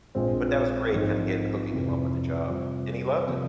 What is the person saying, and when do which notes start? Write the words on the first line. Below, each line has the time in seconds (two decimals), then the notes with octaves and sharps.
but that was great kinda get hooking him up with the job, and he loved it.
0.15 A#1 A#2 G#3 C4
0.92 G#2 F3 C4
1.71 F2 C3 E3
2.48 C3 G3 C4 F4
3.27 C3 F3 A#3